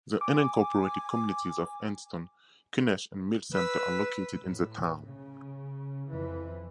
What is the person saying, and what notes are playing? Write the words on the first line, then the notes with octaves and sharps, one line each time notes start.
The unincorporated communities of Anston, Kunesh, and Mill Center are located in the town.
G#5 D6
B4 E6 B6
A2
C#3
F2 E3